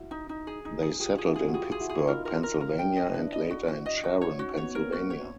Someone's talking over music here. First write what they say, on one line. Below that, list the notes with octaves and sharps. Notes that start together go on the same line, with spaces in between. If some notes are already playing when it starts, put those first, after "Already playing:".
They settled in Pittsburgh, Pennsylvania and later in Sharon, Pennsylvania.
Already playing: E4 F#4
D#4
D#4
G#4
D#4
G#4
F4 G4 G#4
F4 G#4
E4 F#4
G#4
F#4
F4 G4 G#4
G#4
E4 F#4
G#4
D#4 F4 A#4
A#4
A#4
A#4
G5
D#5
D4 E4 B4
D#5
F#4
D4 E4 F#4
D#5
F#4
C#4 D#4 C#5
C#4 D#4 F#4
B3 C#4 C#5
B3
A#3 C4 A#4
F#4
C#5